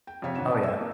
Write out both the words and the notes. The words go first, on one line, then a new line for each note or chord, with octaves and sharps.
Oh, yeah.
G5
F2 C3 C#5 F5 B6
G#1 F2 G#2 D4 F#5 E7
D5 D#5 G#5 A5
E6
A#3 D5